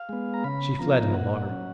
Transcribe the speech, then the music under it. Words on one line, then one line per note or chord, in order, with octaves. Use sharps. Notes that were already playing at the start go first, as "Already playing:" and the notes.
She fled in alarm.
Already playing: F5
G#3 B3
A#5
C#3 B5
F3 B3 F4 A#5
A#2 F#5
F#3 C#4